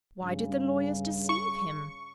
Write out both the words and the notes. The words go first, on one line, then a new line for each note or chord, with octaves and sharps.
"Why did the lawyers deceive him?"
G2 C#3
C#6